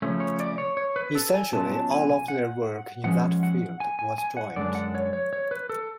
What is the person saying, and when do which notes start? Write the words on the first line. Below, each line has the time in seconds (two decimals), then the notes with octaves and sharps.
Essentially all of their work in that field was joint.
0.02 C#3 F3 A3 C#4
0.20 C#5
0.40 D5
0.58 C#5
0.77 C#5
0.96 B4
1.15 A4
1.34 G#5
1.53 B2 F#3 C#4 F4 A5
1.72 A5
1.91 G#5
2.10 G#5
2.28 F#5
3.04 A2 F3 G#3 C#4 F#5
3.43 F#5
3.80 G#5
3.99 G#5
4.18 G#5
4.37 F#5
4.56 F#2 D3 G#3 D4 D5
4.75 F#5
4.95 C#5
5.13 C#5
5.33 C#5
5.51 B4
5.69 A4